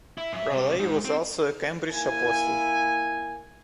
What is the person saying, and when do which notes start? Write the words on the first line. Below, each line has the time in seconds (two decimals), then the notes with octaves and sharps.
Raleigh was also a Cambridge Apostle.
0.18 E4
0.33 F#2 E5
0.50 C3 G3
0.79 G#3 D#4
1.05 C4
1.91 A#3 E4 G#5